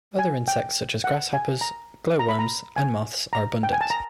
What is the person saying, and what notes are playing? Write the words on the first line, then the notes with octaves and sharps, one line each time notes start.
Other insects such as grasshoppers, glow-worms and moths are abundant.
G#5
G5
F#5
G#5
A#5
A#5
B5
A#5
G#5
A#5
G5
G#5
A5
A#5